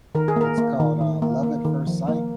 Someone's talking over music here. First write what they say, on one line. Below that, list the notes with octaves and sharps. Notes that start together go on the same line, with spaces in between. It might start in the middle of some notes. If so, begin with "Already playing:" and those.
It's called, uh, Love at First Sight
D#3 A#4
G#4
A#3 A#4
A#3
D#3
D#3
A#3
A#3
D#3
F3
A#3